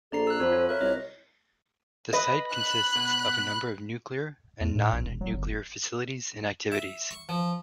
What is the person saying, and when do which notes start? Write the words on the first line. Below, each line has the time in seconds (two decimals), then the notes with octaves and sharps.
The site consists of a number of nuclear and non-nuclear facilities and activities.
0.12 A#1 A4 D5 A#5 C7
0.27 E6 F#6
0.40 F2 F#4 A4 C5 B5
0.52 F4 C#5
0.69 A#4 C#5 E5 F#6
0.81 C2 D#5
2.13 B4 D#5
2.52 B5 F#6
2.95 B2
4.61 E2
4.75 A2
4.93 A#1
5.04 E1
5.21 F#3
5.33 G1
6.72 E5
7.11 C#6
7.29 F3